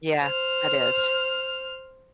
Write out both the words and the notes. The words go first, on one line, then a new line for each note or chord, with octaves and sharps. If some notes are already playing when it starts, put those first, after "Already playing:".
Yeah, that is.
C5 F6